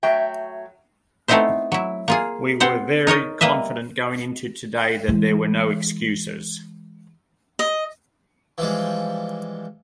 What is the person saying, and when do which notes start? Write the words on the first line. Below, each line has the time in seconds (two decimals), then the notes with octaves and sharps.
We were very confident going into today that there were no excuses.
0.03 F#3 A3 E5 G5
1.28 A3 B3 C4 D#4 E4 C5
1.72 F#3 E4
2.08 A#3 F4 G#4
2.60 B3 C4 C5 F#5
3.07 D#4 A#4 C#5 D#5
3.41 G3 A#3 B4 D#5 E5
5.08 E3 G#3
7.59 D#5
8.58 E3 F3 G3 G#3